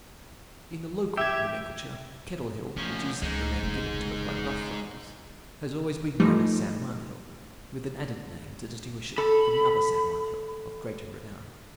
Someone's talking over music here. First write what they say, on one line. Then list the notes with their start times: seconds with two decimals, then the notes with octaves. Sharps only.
In the local nomenclature Kettle Hill, which is the name given to it by the Rough Riders, has always been known as San Juan Hill, with an added name to distinguish it from the other San Juan Hill of greater renown.
1.17 G4 E5 E6 G#6
2.76 F3 A3 C#4
3.22 C#2 E3 G#3 D#4
3.63 F1 C#3
6.20 E3 F3 G3 A3 D#4
9.18 A4 B5